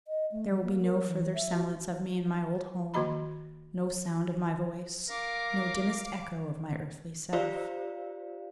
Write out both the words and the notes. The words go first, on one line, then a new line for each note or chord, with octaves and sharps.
There will be no further semblance of me in my old home, no sound of my voice, no dimmest echo of my earthly self.
D#5
A3
F#3
A#3
A#4
E3
E5
F#4
D#3 A#3 F#4 D#5 A#5 B5
A#4 F5 D6
F4 G4 C5 D5 F5